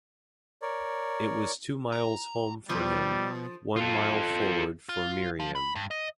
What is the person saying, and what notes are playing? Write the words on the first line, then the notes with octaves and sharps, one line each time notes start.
It was two miles home for him, one mile forward for Miriam.
A#4 C#5 D5
A#5
B2 F3 G3
F4 A4
F4
F3
B5
G2
D#5